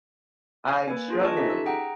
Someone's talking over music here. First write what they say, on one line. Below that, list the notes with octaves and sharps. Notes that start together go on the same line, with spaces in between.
I'm struggling."
A#3 B4 D5 G#5
D4 F4 G#4
F4 B4 D#5 G#5 A5 C#6
C#4 D#4 G4 A4 E5 B6
E6
G#4 F#5 G5 A#5